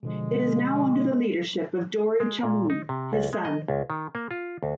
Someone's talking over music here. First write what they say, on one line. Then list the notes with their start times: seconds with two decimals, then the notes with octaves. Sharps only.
It is now under the leadership of Dory Chamoun, his son.
0.03 B2 D3 F3 G#3
2.20 G#3
2.43 A#2
2.70 D#4
2.89 C3
3.13 C#2
3.33 G#3
3.45 D#5
3.68 C#2
3.90 D#3
4.15 A#3
4.31 F4
4.63 D2